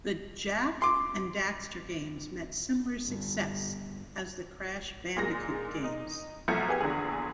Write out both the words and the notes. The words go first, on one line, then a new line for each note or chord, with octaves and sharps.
The "Jak and Daxter" games met similar success as the "Crash Bandicoot" games.
C6 D6
G1
A#2 G#3 A#6
D#4
B1 F3 A3 A#5 G#6 C#7
B3 G4 G#4
A#1 E2 D3 G#4